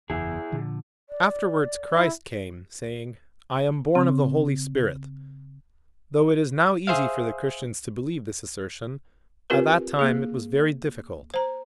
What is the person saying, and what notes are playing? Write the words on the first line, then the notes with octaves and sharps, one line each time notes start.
Afterward Christ came, saying, "I am born of the Holy Spirit." Though it is now easy for the Christians to believe this assertion, at that time it was very difficult.
F#1 E2 E4 G#4
A#2 D3 F3
D5
E4
C#3 C4
G#4 C5 E5 F5
C4 F4 G4 A#4 B4
A#3 G#4
C5 A#5